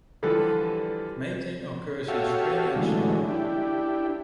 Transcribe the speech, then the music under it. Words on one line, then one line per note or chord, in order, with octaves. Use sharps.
Mating occurs in spring and summer.
D3 E3 F3 G3 A4 B4
F#4 G4 A4 C#5 E5 F5
D3 E3 F#3 G#3 A3 C#4
D4 E4 G4